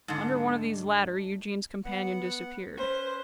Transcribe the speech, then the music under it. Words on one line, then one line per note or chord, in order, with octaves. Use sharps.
Under one of these latter, Eugene's companion disappeared.
G#2 D3
B3 F#5
C#4 B4 C5